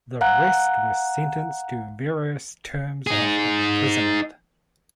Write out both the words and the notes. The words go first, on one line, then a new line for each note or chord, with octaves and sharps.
The rest were sentenced to various terms of imprisonment.
F5 F#5 A#5 F#6
D#4 G#4